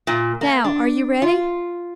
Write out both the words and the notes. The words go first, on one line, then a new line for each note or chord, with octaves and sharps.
Now are you ready?
A#2
A#3
D4
F4